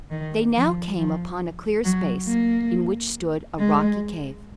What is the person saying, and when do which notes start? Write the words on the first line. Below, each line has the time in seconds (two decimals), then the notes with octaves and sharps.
They now came upon a clear space in which stood a rocky cave.
0.11 D#3
0.55 F3
0.98 F3
1.84 F#3
2.28 A#3
3.59 G#3